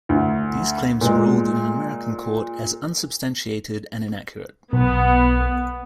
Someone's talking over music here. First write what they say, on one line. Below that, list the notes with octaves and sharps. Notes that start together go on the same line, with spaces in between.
These claims were ruled in an American court as "unsubstantiated and inaccurate".
D2
A#2 G#3
B1 B3